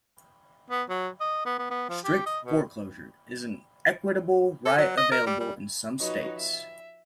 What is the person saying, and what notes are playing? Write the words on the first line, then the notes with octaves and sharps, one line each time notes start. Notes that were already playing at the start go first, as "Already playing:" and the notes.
"Strict foreclosure" is an equitable right available in some states.
B3
F#3
D#5
B3
B3
B3
F3
G4
D#5
B2
A4
F#3
D#5
A#4
G3
G3
F3 D#4 F#4 B4 C#5 D#5
E5